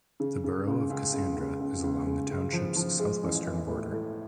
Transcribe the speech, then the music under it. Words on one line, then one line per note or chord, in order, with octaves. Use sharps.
The borough of Cassandra is along the township's southwestern border.
C#3
C#3
C#2
C#2
C#2
C#2
C#2
C#2
C#2
C#2
F3
F3
G#3
A1
E3
A2
A2